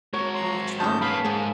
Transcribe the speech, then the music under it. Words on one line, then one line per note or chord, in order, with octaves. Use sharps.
I have tried.
G#3 F#4 A#4 C#5
A#5 C6
G#2 C#4 D#4 A5 G6
A#3 B3 F5 B5
G#2 F3 G#3 A#3 G#4